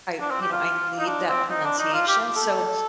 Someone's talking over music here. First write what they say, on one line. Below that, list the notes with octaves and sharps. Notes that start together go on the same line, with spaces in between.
I, you know, I need that pronunciation, so
D4
C4
G4
F4
D#4
D4
C4
D#4
D4
D#4
F4
G4
A4